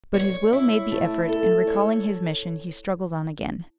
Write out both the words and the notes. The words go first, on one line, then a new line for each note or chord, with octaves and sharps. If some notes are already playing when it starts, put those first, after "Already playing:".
But his will made the effort, and recalling his mission he struggled on again.
C#5
E4
A3
A4
C#5